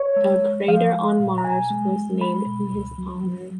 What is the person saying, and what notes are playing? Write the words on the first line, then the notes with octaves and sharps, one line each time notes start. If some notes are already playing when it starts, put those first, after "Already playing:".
A crater on Mars was named in his honor.
Already playing: C#5
G#3
G#3
F3 F5
G#3
A#2
A#5
B2 G#5
G#3
G#3
G#3 B5
B2
C#2
F#3
F#3